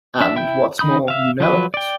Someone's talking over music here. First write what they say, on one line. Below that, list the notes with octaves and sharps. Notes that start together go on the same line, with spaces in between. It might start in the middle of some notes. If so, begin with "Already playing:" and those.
And, what's more, you know it.
D4 E5
E4 E5 G5 G6
D#3 D#4 B5 D#6 G6
E5 F5
F3 F#3 B4
D5 G5